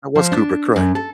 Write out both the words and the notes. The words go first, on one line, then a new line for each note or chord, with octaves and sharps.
That was Kubrick, correct.
F3
D4
F#2
A4